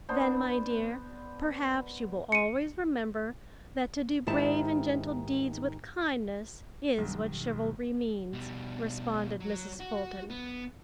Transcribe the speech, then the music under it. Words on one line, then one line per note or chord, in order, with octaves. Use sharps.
"Then, my dear, perhaps you will always remember that to do brave and gentle deeds with kindness is what 'chivalry' means," responded Mrs. Fulton.
B3 D4 C5 B5
C#7 D#7
G#2 D#3 E4 G4 A5
B1 G2 B2 D#3 G3
B2 G3
F#3
F#4
B3